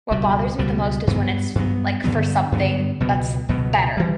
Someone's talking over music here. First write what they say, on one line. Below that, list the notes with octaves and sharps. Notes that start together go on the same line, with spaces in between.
what bothers me the most is when it's f like, for something that's better.
C#2 B2 G3
C#2 B2 G3
G2 F#3 B3
G2 F#3 B3
G2 D3 F#3 B3
G2 D3 F#3 B3
C#2 B2 F#3 B3
C#2 B2 F#3 B3
E3 G3